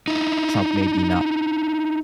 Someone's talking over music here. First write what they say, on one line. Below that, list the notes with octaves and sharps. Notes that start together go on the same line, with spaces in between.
Trump may be not
D#4 E4